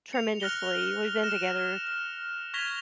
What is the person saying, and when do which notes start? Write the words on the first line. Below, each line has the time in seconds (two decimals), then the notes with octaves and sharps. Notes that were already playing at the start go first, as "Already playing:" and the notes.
tremendously, we've been together
0.13 C#7 F7
0.40 F6 F#6 A#6 F7 G7
1.23 F6 A#6 E7
2.54 C#6 G#6 A#6 B6 F7 G7